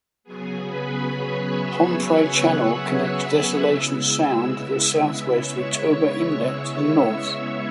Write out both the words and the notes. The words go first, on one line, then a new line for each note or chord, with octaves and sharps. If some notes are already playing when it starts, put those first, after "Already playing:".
Homfray Channel connects Desolation Sound to the southwest with Toba Inlet to the north.
C#3 F#3 B3 G#4 G#5
B4 B5
C#5 C#6
E5 E6
F#5 F#6
C#3 G#3 B3 E4 E5 E6
C#5 C#6